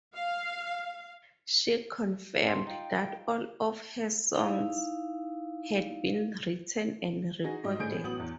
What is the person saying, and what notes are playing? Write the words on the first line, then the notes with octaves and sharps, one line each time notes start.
She confirmed that all of her songs had been written and recorded.
F5
G#2 C4 D4 C6
D#4 F4 G5
D#4 E4 F5
D#4 F#4 G#4 A#6
G#2 F#3 D#5
A2 D3 G#4 G6 D7
A1 F#3 B3 D#6 F#7
E2